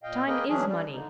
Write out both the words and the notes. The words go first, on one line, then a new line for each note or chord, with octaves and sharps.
Time IS money!
A#2 D#5 F5 G5
A#3 G#4 A#4 B4 D#5 G5
E3 F#3 C#4 D4 G#4
G3
D3 D#4